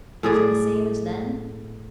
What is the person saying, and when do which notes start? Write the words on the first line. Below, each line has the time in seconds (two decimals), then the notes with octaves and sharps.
Was it the same as then?
0.23 A2 G#4 D5